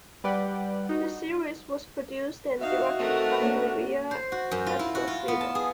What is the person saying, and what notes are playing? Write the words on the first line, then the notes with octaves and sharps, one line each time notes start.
The series was produced and directed by Maria Esposito.
G3 B4 D5 F#5 G5
D#4 F#4
D#4 F#4 E5 F5
A3 C4 A#4
A#3 C#4 D4
C5
F#4
F#2
F4
E4
F#4
F4
B3
A5
G#4